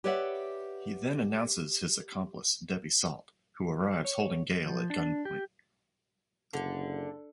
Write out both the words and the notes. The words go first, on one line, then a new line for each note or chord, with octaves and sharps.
He then announces his accomplice, Debbie Salt, who arrives holding Gale at gunpoint.
G4 B4 C#5 D5 E5 F#5
C#5
F3
D4
G4
F#1 D3